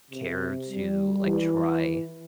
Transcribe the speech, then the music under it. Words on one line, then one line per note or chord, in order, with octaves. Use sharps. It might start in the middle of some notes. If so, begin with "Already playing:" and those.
care to, like, try
C3
G3
E3